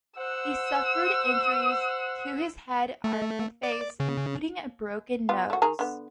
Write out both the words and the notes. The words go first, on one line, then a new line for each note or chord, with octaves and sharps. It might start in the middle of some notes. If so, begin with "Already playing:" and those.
He suffered injuries to his head, arm and face, including a broken nose.
C5 F#5 E6
A3
D5
C#3
G3 B3 F4
A3 F#4
D#3 G#4 A#5
D3 B3